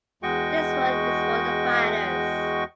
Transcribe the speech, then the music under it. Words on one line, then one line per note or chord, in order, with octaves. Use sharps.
This one is for the fighters.
E2 G#3 F#4 D#5 G5 C#6